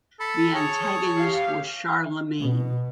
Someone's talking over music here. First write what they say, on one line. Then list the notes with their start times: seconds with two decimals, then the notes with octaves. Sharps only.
The antagonist was Charlemagne.
0.20 A4 B5
0.55 G#4 C#5 A5
0.83 C#5
1.17 G4 F5
2.40 B2